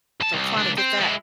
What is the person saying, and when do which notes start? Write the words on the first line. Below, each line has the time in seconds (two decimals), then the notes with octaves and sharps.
So, trying to get that
0.20 G2 A5
0.33 C2
0.57 C#2 D4
0.78 C4
1.01 G#3 E4